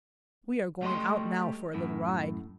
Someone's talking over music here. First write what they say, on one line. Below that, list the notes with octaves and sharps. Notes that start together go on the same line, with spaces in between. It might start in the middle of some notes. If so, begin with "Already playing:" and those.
We are going out now for a little ride.
G3 A3 D#5 E5 C6
F#2 A2